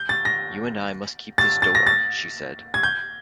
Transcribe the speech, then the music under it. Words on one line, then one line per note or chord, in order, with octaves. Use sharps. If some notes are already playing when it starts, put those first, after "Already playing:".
"You and I must keep this door," she said.
Already playing: G6
A6
A#6
A6
A6
A#6
A6
G#6
G6